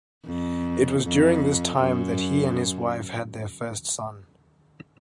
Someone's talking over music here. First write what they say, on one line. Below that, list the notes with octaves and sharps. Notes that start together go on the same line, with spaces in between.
It was during this time that he and his wife had their first son.
F2
F2
F#2